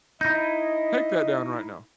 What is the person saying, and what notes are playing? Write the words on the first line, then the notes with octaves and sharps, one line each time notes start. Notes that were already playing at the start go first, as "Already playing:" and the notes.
Take that down right now.
D#4 E4 D#5 G6 A#6